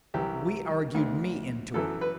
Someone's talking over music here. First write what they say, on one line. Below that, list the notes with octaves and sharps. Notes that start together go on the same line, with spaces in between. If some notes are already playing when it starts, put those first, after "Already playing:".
We argued me into it.
C2 C3 E3 G4
D2 D3
F#2 E3 A4
B4